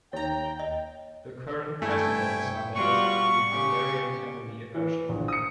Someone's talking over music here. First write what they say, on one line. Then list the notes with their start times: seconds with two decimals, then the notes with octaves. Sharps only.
The current presidents are members of the Hungarian family, Ersching.
0.13 D#2 C#5 G5 A#5
0.59 D#5
1.82 G2 A3 E4 G5 G#5 C#6
2.75 G3 F4 F#4 C#6
3.49 C#3 G4
4.74 E3
5.09 A#1
5.28 D#6 C#7